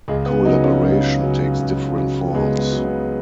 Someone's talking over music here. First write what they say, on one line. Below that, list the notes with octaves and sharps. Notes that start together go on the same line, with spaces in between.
Collaboration takes different forms.
C#2 G#3
B3
C#3 F#3 D#4
C#4
C#2
C#3 F#3
C#2
C#3 F#3
B3
C#2 G#3
B3
C#3 F#3
B3